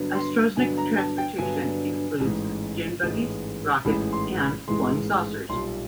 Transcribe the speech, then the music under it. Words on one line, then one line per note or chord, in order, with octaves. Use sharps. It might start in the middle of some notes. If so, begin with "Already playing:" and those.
Astrosnik transportation includes dune buggies, rockets, and flying saucers.
Already playing: G2 D3 F#3 B3
C6
G2 D3 F#3 B3 G#5
A#5
A5
G5
G2 D3 F#3 B3 G#5
A1 G#2 E3 G#3
A1 G#2 E3 G#3
A1 G#2 E3 G#3 B5
C6
B5
A1 G#2 E3 G#3 C6
B1 A#2 G3 C6